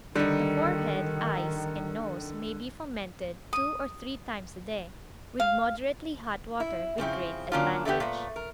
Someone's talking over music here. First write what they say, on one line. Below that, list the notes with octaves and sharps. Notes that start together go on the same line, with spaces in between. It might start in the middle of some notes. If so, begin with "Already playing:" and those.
The forehead, eyes, and nose may be fomented two or three times a day with moderately hot water with great advantage.
D3 D#3 G3 D#4
D#6
F5
E4
C#3 F3 C4 E4
D3 F#3 A#3 C#4 D4 F4
D3 A3 B3 G4
A#2 A3 B3
A#4